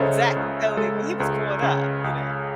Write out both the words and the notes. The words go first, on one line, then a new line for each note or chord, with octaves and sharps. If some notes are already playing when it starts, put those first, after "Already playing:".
Zack and Cody," when he was growing up, you know?
Already playing: C#2 C#3 A4 C5 C#5 D#5 E5
C#2
G#3 A4
C#2
C#3
C#2